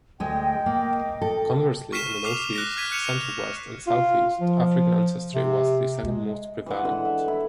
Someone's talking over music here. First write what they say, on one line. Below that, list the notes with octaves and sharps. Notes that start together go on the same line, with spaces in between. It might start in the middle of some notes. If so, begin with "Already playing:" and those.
Conversely, in the Northeast, Center-West and Southeast, African ancestry was the second most prevalent.
D2 G#3 D#5 G5
A#3
A4
C#6 F6 B6 C7 D#7 E7
D6 F6 C7 F7
F#6 A#6 C7
F6 G#6 B6 D#7
F6 F#6 C#7 E7 F7
F4
F3
C3
G#3
E3 G#3 F#5
D3 F#5
E5
E4